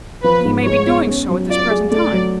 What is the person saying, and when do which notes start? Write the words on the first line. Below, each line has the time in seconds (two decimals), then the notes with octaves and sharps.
'He may be doing so at this present time.'
0.23 F3 B4
0.45 G#2
0.65 G#3 C#5
0.87 B3
1.08 C#4
1.29 F#3
1.49 F4 D5
1.71 G#4
1.92 A3 D5
2.12 F#3